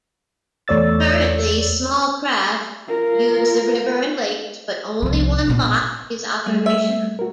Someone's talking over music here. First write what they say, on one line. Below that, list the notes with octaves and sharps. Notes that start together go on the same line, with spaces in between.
Currently small craft use the river and lakes, but only one lock is operational.
E2 A3 C#5 D5 E6 A6
F4 A#4
C2 F3
A#2 B3
G3 A3 G#4
E5
F#4 A#4